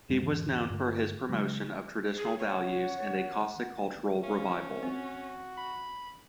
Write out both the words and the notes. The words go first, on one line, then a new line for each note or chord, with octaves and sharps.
He was known for his promotion of traditional values and a Cossack cultural revival.
F2 B2 G3 G#3
E2 G#2 D3 E3
G2 D3 A3
C#3 F#3 G#3
G#4
C#5 F#5
C#4 F5
C4 F#4
B5